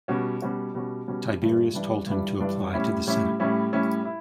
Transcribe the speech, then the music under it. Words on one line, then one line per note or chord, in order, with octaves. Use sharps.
Tiberius told him to apply to the senate.
B2 G3 C#4 F#4
B2 G3 C#4 F#4
B2 G3 C#4 F#4
B2 G3 C#4 F#4
G2 E3 G3 D4
G2 E3 G3 D4
G2 E3 G3 D4
G2 E3 G3 D4
A2 G3 C#4 E4
A2 G3 C#4 E4
A2 G3 C#4 E4
A2 G3 C#4 E4
E4